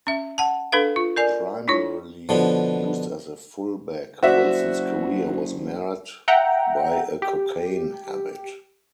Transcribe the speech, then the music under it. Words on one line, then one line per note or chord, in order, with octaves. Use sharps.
Primarily used as a fullback, Wilson's career was marred by a cocaine habit.
C#4 E5
F#5 A5
D4 A4 B4 F5
F4
A#4 D5 G#5
D4 E4 F4 C#5
B2 D3 F3
F#1 F#4 C5 D5 E5
E5 F#5 G5 A#5
G4